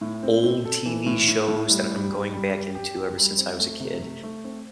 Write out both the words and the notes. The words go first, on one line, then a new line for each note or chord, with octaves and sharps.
old TV shows that I'm going back into ever since I was a kid.
A2
C4
C4
A4
E3
A2
A2
A2
G3
G3
G3
G3
G4
G4
G4
G3
C4
A3
C3
A3
A3
C4